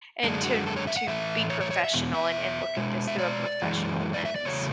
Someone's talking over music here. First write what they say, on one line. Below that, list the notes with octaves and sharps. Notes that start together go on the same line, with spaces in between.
and to to be professional and and look at this through a professional lens."
F#2 D3 G#3 D4
F#4
A4
C#5
E5
F#5
A2 E3 A3 E5
C#5
C#5
C#5
E5
E2 B2
E5
B2 G#3
E5
D5
F#2 E3 G#3
D5
E5
D5
E2 C#3 F#3 A3 C#5